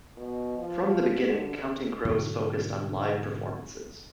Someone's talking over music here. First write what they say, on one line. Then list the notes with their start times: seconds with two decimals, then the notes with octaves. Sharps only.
From the beginning, Counting Crows focused on live performances.
0.17 B2
0.58 F3
1.31 D3
2.05 G#2 B2 D3 F#3